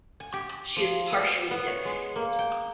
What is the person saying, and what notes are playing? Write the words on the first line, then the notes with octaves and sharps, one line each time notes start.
She is partially deaf.
G#5
G4
F3
B3
B3
C#5
G#3
A#3
G5